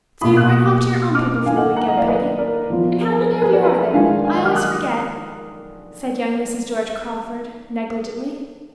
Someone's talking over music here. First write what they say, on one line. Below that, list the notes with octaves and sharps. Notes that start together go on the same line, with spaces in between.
"So you're going home to your own people for the week end, Peggy?--And how many of you are there,--I always forget?" said young Mrs. George Crawford, negligently.
B2 A#3 F4 B5 D#6
D#6 F#6
D6 F6
D#3 A#3 F4 F5 G#5
D#5 F#5
F#5 A#5
D#5 F#5
D5 F5
B4 D#5
A#4 D5
F3 B3 F4
A#4
G#4
A#4
A#4
G#4 B4
A#4 D5
G#4 B4
D#3 G#3 D4 F4 F5 G#5
F5 G#5
D#5 F#5
D6 F6
D#6 F#6